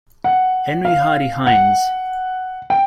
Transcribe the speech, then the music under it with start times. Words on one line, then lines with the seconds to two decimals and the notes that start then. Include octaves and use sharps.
Henry Hardy Heins.
0.24 F#5
0.85 F5
1.47 F#5
2.70 G5